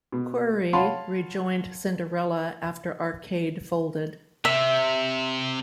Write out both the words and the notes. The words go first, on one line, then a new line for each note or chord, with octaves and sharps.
Coury re-joined Cinderella after Arcade folded.
B2
C#5 F5 F#5 A5 B5 C6
C3 E5